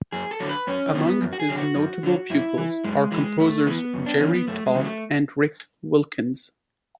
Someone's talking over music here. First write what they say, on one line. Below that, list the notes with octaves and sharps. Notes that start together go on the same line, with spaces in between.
Among his notable pupils are composers Jerry Toth and Rick Wilkins.
F#2 G#4
A4
D3 F#3
B4
F#2 C#4
D3 F#3 B3
F#2
F#4
G#4
D3 F#3
F#4
F#2
D3 F#3
F#2 E4
E3
F#2 G#3
E3 G#3
F#2 A3
E3 B3
F#2
D4
E3 C#4
B3
F#2 A3
G#3
C#3 F#3
A3